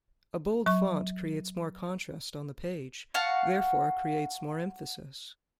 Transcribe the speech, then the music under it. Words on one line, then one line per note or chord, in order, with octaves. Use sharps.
A bold font creates more contrast on the page, therefore creates more emphasis.
F#3 C#6
F#4 F5 F#5 A5